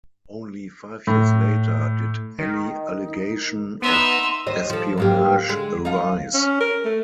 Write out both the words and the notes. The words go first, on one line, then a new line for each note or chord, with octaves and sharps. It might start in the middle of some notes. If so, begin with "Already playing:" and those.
Only five years later did any allegation of espionage arise.
A2
D#3 D#4
B3 D#4 E5 C6
D#2 C5 D#5
F3 A4
G#2 A#3 G4
D3 G#3
D#4 F4
C#4
A#4
A3